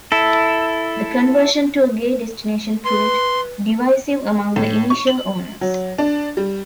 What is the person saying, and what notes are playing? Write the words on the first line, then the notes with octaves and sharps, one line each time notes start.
The conversion to a gay destination proved divisive among the initial owners.
E4 A4
B4 C6
A2
C#6
F#7
F#3
D4
G3